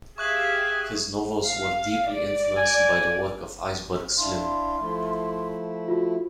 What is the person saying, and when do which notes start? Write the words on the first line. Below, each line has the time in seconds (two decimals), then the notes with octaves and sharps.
His novels were deeply influenced by the work of Iceberg Slim.
0.18 G4 G#4 E5 F5 C#6 F#6 F#7
1.45 F5
2.09 D5
2.57 G#5
4.18 D4 E4 F5 C6
4.79 F3 A3 E4
5.88 F4 F#4